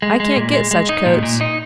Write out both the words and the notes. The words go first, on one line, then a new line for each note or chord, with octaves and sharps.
I can't get such coats.
G#3
G#3
A#2
G#3
G#3
D#4
A#2
A#2
D#4